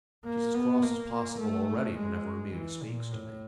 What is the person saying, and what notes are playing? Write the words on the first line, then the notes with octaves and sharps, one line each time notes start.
She's as cross as possible already whenever Amelia speaks to me.
A#3
B3
A#3
A3
G#3
E3
A#2
A2